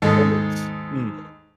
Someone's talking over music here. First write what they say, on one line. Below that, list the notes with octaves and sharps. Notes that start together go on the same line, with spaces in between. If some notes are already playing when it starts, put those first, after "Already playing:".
And it's mm.
D#2 G#2 G#3 D#4 A4 D#5